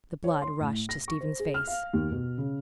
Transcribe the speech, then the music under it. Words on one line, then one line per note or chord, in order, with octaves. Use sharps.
The blood rushed to Stephen's face.
C#5
C6
A2
A#6
C#6
C5
G#4
F6
F5
D#2
B2
C#3